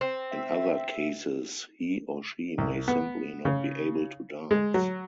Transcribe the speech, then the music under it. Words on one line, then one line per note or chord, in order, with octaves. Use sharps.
In other cases, he or she may simply not be able to dance.
C4
E5
C2
B3
C#3
G#3
F#3